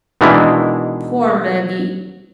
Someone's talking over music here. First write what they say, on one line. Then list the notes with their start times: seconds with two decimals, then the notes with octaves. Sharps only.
Poor Maggie!
0.21 B2 D#3 E3 G#3 D4 E4